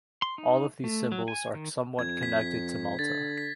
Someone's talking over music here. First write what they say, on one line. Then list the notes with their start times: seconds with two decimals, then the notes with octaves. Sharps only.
All of these symbols are somewhat connected to Malta.
0.22 C6
0.38 D#4
0.84 A3
1.12 F#3
1.28 G#5
1.55 D#3
1.99 F2 G#6
2.23 B6
2.99 D3 A6
3.38 B6